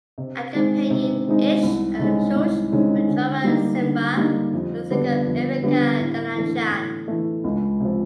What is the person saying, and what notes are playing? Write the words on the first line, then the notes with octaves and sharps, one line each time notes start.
Accompanying Esch and Schulz were drummer Ziemba and singer Erica Dilanjian.
C3
D#3 G#3 C4 D#4
C3
D#3 G#3 C4 D#4
C2
C3 D#3 G#3 C#4
C2
C3 D#3 G#3 C#4
D3
G3 A#3 D#4
D3
G3 A#3 D#4
F2
D3 G3 B3 D4
F2
D3 G3 B3 D4
A2
E3 A3
A2
E3 A3
C#2
C3 F3